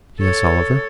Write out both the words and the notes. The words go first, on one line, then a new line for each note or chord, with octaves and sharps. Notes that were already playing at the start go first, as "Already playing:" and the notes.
"Yes, Oliver?"
A4 C#5